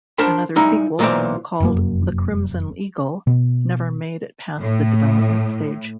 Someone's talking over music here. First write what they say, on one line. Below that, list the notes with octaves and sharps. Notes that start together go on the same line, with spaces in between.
Another sequel, called "The Crimson Eagle", never made it past the development stage.
D4 A#4 C5 A5 B5
G3 D#4 E4
B1 A#2 E3 B4 C5 D5
F1 F#2 A#3
B2
A2